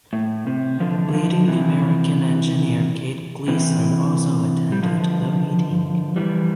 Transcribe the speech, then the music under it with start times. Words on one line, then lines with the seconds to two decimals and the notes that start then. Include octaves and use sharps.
Leading American engineer Kate Gleeson also attended the meeting.
0.13 A2
0.47 C3
0.80 D3 F3
1.08 E3
1.14 D3 F3
1.48 C3 E3
3.48 C3 E3
4.72 G3
4.83 D3 F3
6.16 E3 G3